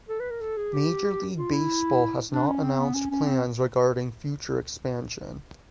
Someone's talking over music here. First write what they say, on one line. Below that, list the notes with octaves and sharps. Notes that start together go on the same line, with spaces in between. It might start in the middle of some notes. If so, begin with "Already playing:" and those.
Major League Baseball has not announced plans regarding future expansion.
A4
B4
A#4
A4
G#4
G4
F4
E4
D4
C#4
C4
B3
C#4
C#4
C4